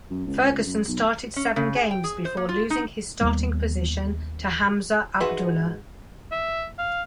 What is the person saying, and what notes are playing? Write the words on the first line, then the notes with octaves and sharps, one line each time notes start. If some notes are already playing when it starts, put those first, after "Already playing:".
Ferguson started seven games before losing his starting position to Hamza Abdullah.
F#2
C#2
F#2
B1
C#4
C#3
G#4
G5
G#4
C5
A#3
F4
D#4
D#2 G3 A#3 B3
G#2 F#4 G#4 B4 E5 C6
E5
F5